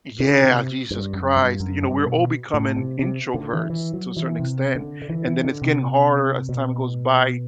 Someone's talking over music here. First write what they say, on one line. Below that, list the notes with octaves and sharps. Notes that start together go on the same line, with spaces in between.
Yeah, Jesus Christ, you know, we're all becoming introverts to a certain extent, and then it's getting harder as time goes by
D3
C3
G2
F#2
G2
F#2
G2
B2
A2
C3
C3
D3
E3
E3
F#3
E3
C3
D3
D3
E3
E3
D3
C3
B2